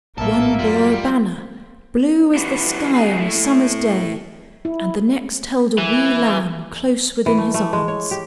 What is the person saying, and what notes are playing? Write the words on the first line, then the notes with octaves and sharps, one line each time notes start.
One bore a banner blue as the sky on a summer's day, and the next held a wee lamb close within his arms.
A#1 A2 A#3 A4 A#4 E5
F#2 G3 F4
D4 E4 F#4 G4 B4 C5
D#4 F#4 G#4
A3 E4
E4
E3
E3
A3
A3
G#3
C#5
G4